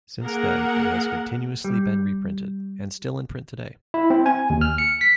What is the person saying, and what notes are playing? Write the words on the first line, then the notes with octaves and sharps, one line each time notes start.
Since then, it has continuously been reprinted and still in print today.
A#3 G#4 A#4 F#5
G3
E4
C4
G#5
D#2
F6
C#7
B6